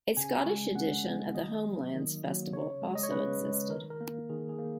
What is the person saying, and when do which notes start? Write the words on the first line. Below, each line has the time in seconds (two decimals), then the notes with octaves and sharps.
A Scottish edition of the Homelands festival also existed.
0.17 C#3 G#5
0.46 G#3
0.75 C#3 F#5
1.05 G#3
1.34 D#3 D#5
1.65 F#3 A#3
1.94 D#3
2.24 F#3 A#3
2.52 C#3 C#5
2.82 G#3
2.95 D#5
3.03 C#5
3.11 C#3 B4
3.41 G#3
3.70 D#3 A#4
3.90 A#4
4.01 A#3
4.29 D#3 G#4
4.49 G#4
4.58 A#3